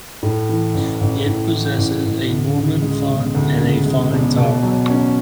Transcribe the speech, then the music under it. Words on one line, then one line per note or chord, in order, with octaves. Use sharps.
It possesses a Norman font and a fine tower.
A2
E3
A1
A1
A2
E3
A1
A1
D2
C#3
G#3
E1
D2
C#3
G#3
E1
B2
F#3
C#4